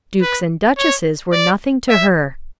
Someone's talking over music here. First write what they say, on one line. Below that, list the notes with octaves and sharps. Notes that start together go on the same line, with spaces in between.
Dukes and duchesses were nothing to her.
B4
C#5
D5
E5